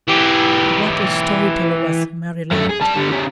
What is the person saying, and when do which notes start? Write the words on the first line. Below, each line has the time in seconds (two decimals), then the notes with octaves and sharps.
But what a story-teller was Mary Lant!
0.08 E3 G4
2.53 F#2 A3
2.70 G#4
2.82 G3 A5
2.96 D3 G3
3.12 C#3 G4